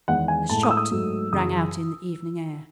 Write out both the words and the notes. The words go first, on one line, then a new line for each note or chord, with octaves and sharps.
A shot rang out in the evening air.
E2 D#3 G#3 F#5
G#5
A2 G#3 A5
D#6
E6
D#6
G#2 F#3 A3
F#2 C#3 E3 D#6